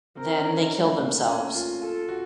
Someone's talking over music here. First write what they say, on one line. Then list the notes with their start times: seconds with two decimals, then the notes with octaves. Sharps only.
Then they kill themselves.
0.17 C4 A#4
0.37 C#4
0.59 D#4
0.80 A3
1.00 A#3
1.27 C#4
1.54 F4
1.81 F4 A4
2.09 F#4